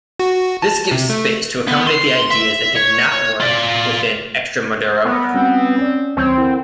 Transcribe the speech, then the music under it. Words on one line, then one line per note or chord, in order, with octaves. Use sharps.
This gives space to accommodate the ideas that did not work within Extremoduro.
F#4
A5
C3
A3
B3
C6
E5
C#5
F4 D5
F#3 G3 B3 A#4
G3 C4 C#4 F#4
C#4 D5
D2 E3 G3 C4 C#5
D3 E4 A#4